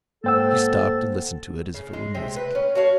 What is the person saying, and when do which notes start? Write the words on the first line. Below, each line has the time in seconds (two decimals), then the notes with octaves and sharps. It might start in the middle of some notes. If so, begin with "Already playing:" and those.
She stopped, and listened to it as if it were music.
0.24 G#2 A#3 A4 C5 F#5 G5 E6
1.74 C#3
1.93 G#3
2.14 C3 G#3 G5
2.36 B4
2.55 C#4
2.75 F#4 A4 C#5 F5